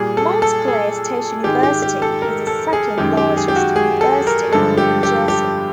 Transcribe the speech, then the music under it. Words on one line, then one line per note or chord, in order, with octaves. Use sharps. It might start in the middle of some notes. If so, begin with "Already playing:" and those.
Montclair State University is the second largest University in New Jersey.
Already playing: A#2 G3 G#4
A4
A4
G#4
G#2 D#3 G#3 G4
G4
G4
A4
A#4
A4
G#4
F#2 D#3 G#3 G4
G4
G#4
G4
F#4
G#4
A4
A#4
G2 D3 F3 G#3 A4
G4
G4
G4